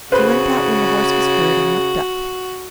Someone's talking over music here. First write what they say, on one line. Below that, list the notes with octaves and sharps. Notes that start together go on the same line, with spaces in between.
She went out when the horse was heard, and looked up.
C#3 F#4 B4 C5